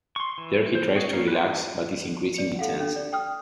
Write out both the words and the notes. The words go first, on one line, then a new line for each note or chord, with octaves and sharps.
There he tries to relax but is increasingly tense.
C6 C#6
E3
C5
C4 F#4 G#4 C#5 D#5
A#3 C#4
G4 B4
D5 C#7
A4 F5 F#5
D4 A4
D5
G5 D#6 F6